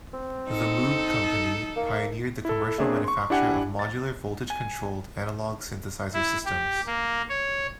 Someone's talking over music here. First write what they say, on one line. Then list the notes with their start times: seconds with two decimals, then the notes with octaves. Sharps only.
The Moog company pioneered the commercial manufacture of modular voltage-controlled analog synthesizer systems.
0.13 C4
0.49 D#4 A4
1.76 A#3
2.45 E4 A4
2.78 A#3 C4 D4 G#4 C#5 E5
3.04 C6 C#6
3.30 D4 E4 G4 F#5 G#5
3.79 A6
4.50 G#5
6.14 E4
6.45 G4
6.86 A#3
7.29 C#5